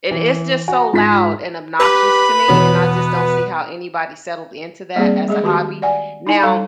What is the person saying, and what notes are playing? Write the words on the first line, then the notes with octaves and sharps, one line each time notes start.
It it’s just so loud and obnoxious to me, and I just don't see how anybody settled into that as a hobby. Now
E3
F#4 G#5
G#2 F4 B6
G4 B4 B5
E2 B2 B3 C#5
G3 A#3 C4 G#4 D5
G#3 G#4 D#5
D#3 F#4 G4 A5
D5 F#5 G#5
D#4 E4 G#5
G3 A4 F5 C6 C#6